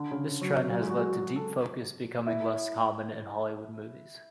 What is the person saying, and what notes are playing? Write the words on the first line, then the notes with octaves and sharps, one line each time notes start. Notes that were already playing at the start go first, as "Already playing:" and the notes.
This trend has led to deep focus becoming less common in Hollywood movies.
Already playing: D3
C#3
F#3
F#3
G#3
F#4
G#4
F#4
F#4
A4
E4